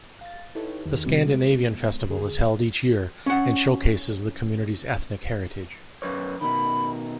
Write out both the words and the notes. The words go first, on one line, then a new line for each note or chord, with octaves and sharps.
The Scandinavian Festival is held each year and showcases the community's ethnic heritage.
F5 A6
D#4 E4 G4 A4 B4 C#5
E2 D#3
C3 G3 C4 F#4
G#3 B3
D2 D3 G#4
C#4 F#5
F#2 B4 C#5
B2 D#3 B5